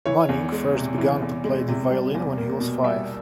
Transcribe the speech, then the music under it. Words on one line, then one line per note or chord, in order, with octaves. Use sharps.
Manning first began to play the violin when he was five.
E3 C#5
E2
G#3
C3
E3
E2
G#3
C3
G3
E2
A#3
B2
G3 E5